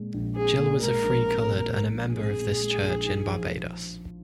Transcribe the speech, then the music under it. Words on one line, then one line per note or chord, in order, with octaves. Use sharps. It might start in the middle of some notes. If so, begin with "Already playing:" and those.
Gill was a Free Coloured and a member of this church in Barbados.
Already playing: A#2 G#3 C4
A#1
C4 G#4
A#2
G#3 A#4
A#1
C4
A#2
G#3
A#1
C4 G#4
A#2
G#3
A#1
D#4
F3